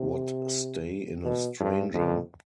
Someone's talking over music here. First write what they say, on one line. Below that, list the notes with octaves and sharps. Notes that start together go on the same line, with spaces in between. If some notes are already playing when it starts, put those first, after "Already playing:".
What stay in a stranger?
Already playing: C3
B2
G2
F2